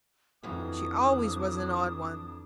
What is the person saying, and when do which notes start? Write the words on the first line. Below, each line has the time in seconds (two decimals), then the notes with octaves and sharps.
She always was an odd one.
0.43 F2 D#3 E3 F#3 D4 D#6